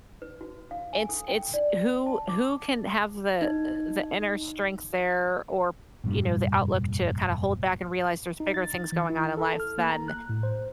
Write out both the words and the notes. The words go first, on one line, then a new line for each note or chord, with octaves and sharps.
it's it's who who can have the, uh, the inner strength there or, you know, the outlook to kinda hold back and realize there's bigger things going on in life than
B4
F#4
F5
G#5
A4
G5
D5
A5
D6
D#4
F1 G2 A#2 G3
D#4
A6
E3
E4
A4
F6
A#3
A#5
F#6
A2
C5